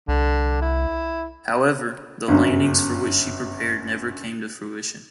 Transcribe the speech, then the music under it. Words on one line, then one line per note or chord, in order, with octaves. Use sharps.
However, the landings for which she prepared never came to fruition.
C2 D3
E4
G1 F#2